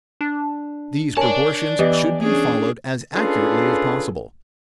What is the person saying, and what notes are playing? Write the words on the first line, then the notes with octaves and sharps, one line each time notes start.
These proportions should be followed as accurately as possible.
D4
A#4 C#5 D5 G#5 A5
E3 B3 G4 D#5
C#4 D4 G#4
C#4 D4 F4 G#4 A4 B4